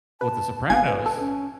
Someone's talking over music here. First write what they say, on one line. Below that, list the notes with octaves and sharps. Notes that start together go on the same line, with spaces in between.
With The Sopranos,
B4 A5
G#1 F5 G#5 G#6
B4
A4
C#4